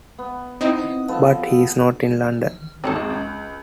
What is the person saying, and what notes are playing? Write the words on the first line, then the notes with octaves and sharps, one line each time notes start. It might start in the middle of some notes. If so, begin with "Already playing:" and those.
But he's not in London?
B3
C4 D#4 E4 D#5
F3 B3 A4
G#1 D#2 C4 D#4 A4
G#3
C#2